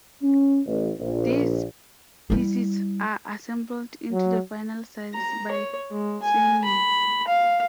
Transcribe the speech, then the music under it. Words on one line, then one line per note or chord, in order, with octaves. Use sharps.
These pieces are assembled into the final size by seaming.
C#4
A1
A#1
G3 E4
F#3
A#5
C#5
G#3
G#5
B5
F5